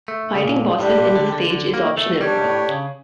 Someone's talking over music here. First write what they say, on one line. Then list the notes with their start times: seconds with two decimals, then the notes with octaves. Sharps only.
Fighting bosses in this stage is optional.
0.08 A3
0.35 C#3
0.44 A#2
0.79 A2 G3 D4 G4
0.97 A#2
1.16 D3
1.32 D3
1.50 D3
1.74 A#3
1.97 A3
2.21 G3 D4 G4 C#5
2.44 A2
2.69 C#3